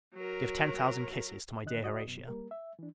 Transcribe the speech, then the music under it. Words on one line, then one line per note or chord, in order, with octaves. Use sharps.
Give ten thousand kisses to my dear Horatia.
F#3 A#4
F#2 D3 D#3 D#5 F#6
C#2 F#4 D5 D#5 D#6
F#2 B2
G3 A#3 A#4
E5
E3 D4